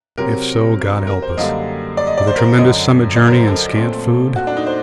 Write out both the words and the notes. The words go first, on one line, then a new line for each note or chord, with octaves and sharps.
If so, God help us, with the tremendous summit journey and scant food.
C3 F#3 C4 A#4
A#4
C5
F#2 D3 G3 A#3 D#5
D5
D#5
D5
C5
A#4
F#2 D3 F#3 D#5
D5
A#4
C5
A4
A#2 A3 C4
F#4
D4
D#4
C5